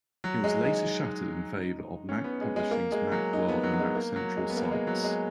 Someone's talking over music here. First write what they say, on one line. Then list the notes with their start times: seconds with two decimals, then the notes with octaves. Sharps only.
It was later shuttered in favor of Mac Publishing's Macworld and MacCentral sites.
0.24 F#3
0.44 G#3
0.65 D#4
2.09 C#4
2.24 B3
2.41 G#3
2.56 G#3
2.71 A#3
2.92 G#3
3.12 F#3
3.33 D#4
3.49 B3
3.63 F#3
3.73 F#3
3.79 G#3
3.95 A#3
4.16 F#3
4.37 G#3
4.50 B3
4.57 A#3
4.72 G#3
4.87 F#3
5.04 G#3